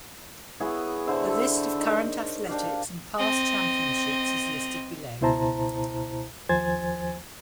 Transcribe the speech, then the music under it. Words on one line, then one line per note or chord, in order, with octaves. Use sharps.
A list of current athletics and past championships is listed below.
B3 E4 G#4 C#5
D3 C5 C#5 E5
A4
D#4 A#4
D4 G4 F5
C4 D#5
C#2 B2 E4 C5 A5 A#5
D#2 F3 C5 G#5 G#6 A6